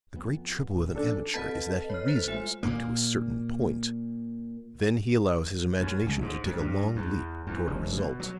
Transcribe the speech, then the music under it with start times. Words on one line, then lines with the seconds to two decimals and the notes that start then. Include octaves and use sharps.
The great trouble with an amateur is that he reasons up to a certain point; then he allows his imagination to take a long leap toward a result.
0.16 F2 B3
0.76 E1 A#2
0.96 F3 C#4 D4 A4
1.34 C4 A4 B4 D#5 A5
1.90 C#5 F6
2.08 A4 C5
2.28 G#3 F4 E5
2.63 A#2 A#3
5.80 F#2
6.06 C#2
6.21 G#2
6.45 F2
6.58 G2
6.96 E2
7.47 E2
7.68 F1
7.97 B2
8.20 F#3